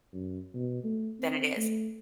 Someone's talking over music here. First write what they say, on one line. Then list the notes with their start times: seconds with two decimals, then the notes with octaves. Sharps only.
than it is?"
0.13 F#2
0.54 B2
0.84 A3
1.20 C4
1.57 A3